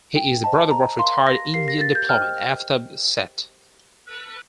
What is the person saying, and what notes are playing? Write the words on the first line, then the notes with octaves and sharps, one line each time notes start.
He is the brother of retired Indian diplomat Aftab Seth.
G5
C5 D#5 G5 A5
A#5
A#4 F5 C6
A#6
G4 A#4 F5 C7
A#6
A6
G6
C5 D#5 G5 F6